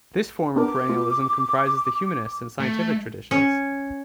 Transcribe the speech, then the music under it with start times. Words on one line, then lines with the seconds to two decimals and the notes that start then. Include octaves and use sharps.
This form of perennialism comprises the humanist and scientific traditions.
0.56 B3 D4 A#4 D6
0.89 A3 F4
2.60 A3
3.31 C#4